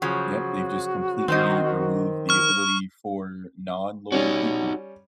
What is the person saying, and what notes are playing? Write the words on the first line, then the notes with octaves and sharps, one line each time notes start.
Yep, they've just completely removed the ability for non-local people
C#3 F3 F#3 F#4
D#3 C4 C5 D#5
C#6 F6
G3 C#4 D#4 F#4